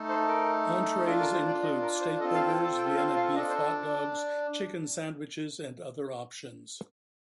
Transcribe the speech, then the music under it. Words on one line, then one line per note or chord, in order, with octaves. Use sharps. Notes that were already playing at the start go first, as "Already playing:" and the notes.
Entrees include steakburgers, Vienna Beef hot dogs, chicken sandwiches and other options.
Already playing: A3 D#4 A4
C5
A#4
D4 F4 A4
A#4
C5
D5
D#5
A#4
D5
C5
C4 F4 A4 D#5
F5
G5
A5
G5
F5
F5
D4 A4 D#5
C5